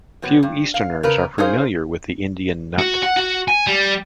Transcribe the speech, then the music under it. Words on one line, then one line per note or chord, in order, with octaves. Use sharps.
Few easterners are familiar with the Indian nut.
C3 F#3 B3
G2
F5
C#3 A#4 B4
C#4 D#4 G#4 A#4 C5 F5
F#4
F#5
F#4
G#5
G3